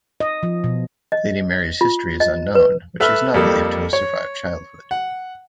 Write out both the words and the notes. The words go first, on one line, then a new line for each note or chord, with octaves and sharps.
Lady Mary's history is unknown, but she is not believed to have survived childhood.
D#5
F3
B2
D#5
F4
D#5
B4
A4 B4 E5 E6 F6
F2 G3 A#3 A4
C#5
F#5